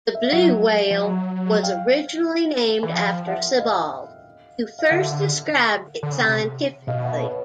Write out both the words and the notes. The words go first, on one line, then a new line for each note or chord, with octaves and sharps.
The blue whale was originally named after Sibbald, who first described it scientifically.
E5
F5
F#3 E5 F#5
F3
F#3
F5 G5
E3
F3 F5 G5
E5 F#5
D#5 F5
F5
D3 E5 F#5
D3
C#3
C3
B2 D#5 F5
F5
E5 F#5
B4 C#5